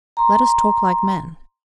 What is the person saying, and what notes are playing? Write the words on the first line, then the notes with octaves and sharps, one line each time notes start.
Let us talk like men.
A#5 C6